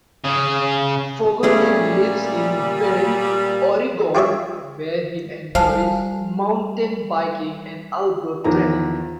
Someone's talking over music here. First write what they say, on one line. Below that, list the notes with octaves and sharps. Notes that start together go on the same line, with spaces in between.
Fogarty lives in Bend, Oregon, where he enjoys mountain biking and outdoor training.
C#3 G#4
A#2 G3 A3 C#4 G#4
F4 G4 G#4 C#5 E5
G3 C5 F5 G#5 A5
E2 D#3 F3 A#4 B4 A#5